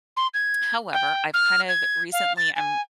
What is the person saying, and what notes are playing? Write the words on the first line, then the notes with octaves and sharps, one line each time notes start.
however, I've, kind of, recently I'm
C6
G#6
G5
F6
G#6
F5
A6
G#5